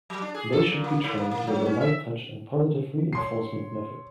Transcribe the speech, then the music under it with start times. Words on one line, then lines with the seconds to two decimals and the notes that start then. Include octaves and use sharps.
They should be trained with a light touch and positive reinforcement methods.
0.10 F#3
0.22 D4
0.34 G#4
0.52 A4
0.67 A#2
0.84 A#3
1.04 G#2
1.18 A#3
1.31 A#3
1.47 F#3
1.66 C#4
1.81 E5
3.13 C#5 C6 C7